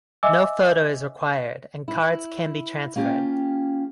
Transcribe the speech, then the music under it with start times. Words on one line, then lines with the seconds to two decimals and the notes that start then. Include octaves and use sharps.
No photo is required, and cards can be transferred.
0.23 D#5 E5 G#5 D6 E6
1.88 E4
2.96 A#3 C#4 F4 G4 G5